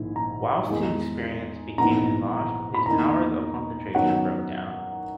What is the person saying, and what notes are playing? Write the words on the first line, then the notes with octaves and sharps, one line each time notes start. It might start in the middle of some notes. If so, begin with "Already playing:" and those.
Whilst his experience became enlarged his powers of concentration broke down.
Already playing: A#1 G#2 D#3 E4
A#5
E2 D#3 G#3 D#4
A#1 G#2 E3 B3 D#4 A#5
B5
E2 D#3 A#3 D#4 A#5
F#2 D#3 F#3 B3 D#4 F#5